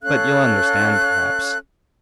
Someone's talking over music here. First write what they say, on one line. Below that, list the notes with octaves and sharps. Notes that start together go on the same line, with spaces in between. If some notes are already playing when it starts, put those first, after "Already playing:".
But ye'll understand, perhaps.
C#4 A4 F5 F#6